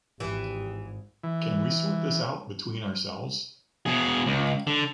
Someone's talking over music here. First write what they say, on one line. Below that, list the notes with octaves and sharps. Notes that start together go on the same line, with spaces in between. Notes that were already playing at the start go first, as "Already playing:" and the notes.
Can we sort this out between ourselves?
G#1 G#2 E3 G4
E3
B2 G#4
C#2
D3